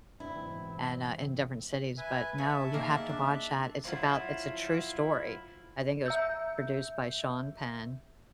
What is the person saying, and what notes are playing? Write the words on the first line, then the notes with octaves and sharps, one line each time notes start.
and, uh, in different cities. But no, you have to watch that, it's about it's a true story, I think it was p produced by Sean Penn,
F#1 B2 C4 D4 E4
G#2 E3
B4 E5 G#5
C#5 E5 G#5 A5
D#3 A#3 G#4
D4
F3 F#3 E4 F4
E5 E6 G6